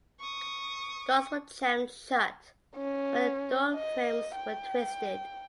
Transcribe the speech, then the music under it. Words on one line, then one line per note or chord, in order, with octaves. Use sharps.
Doors were jammed shut when the door frames were twisted.
C#6 D#6
C#4
D#5
G5